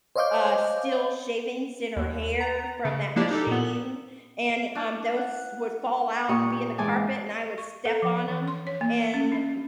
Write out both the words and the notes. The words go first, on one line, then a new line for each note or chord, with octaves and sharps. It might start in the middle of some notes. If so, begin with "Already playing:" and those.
uh, steel shavings in her hair from that machine, and, um, those would fall out and be in the carpet, and I would step on 'em, and, n
C5 C#5 D#5 F5 D6 G6
D#2
A#5
C#3
F3 A#3 D4 E4 G4 D5
D#4 G4 A4
A#2 B3
D4 E4 A5 F6
F#5
A#2 G4 C#6 D#6
G#2 E3 G#4 G#5 A5 D6
C#6
A4
F3
E3
C6
C#5
A#3
C#4
D4